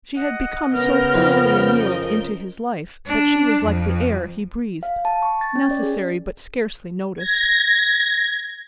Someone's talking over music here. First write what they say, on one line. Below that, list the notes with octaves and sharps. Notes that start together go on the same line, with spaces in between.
She had become so thoroughly annealed into his life that she was like the air he breathed--necessary but scarcely noticed.
D#5 F#5
C#3 B3 A#4 F6 G6 A#6
F2
D#5
D4
F2
F5
A5
C#6
A6
C#4
D5
G#4
G#6 A#6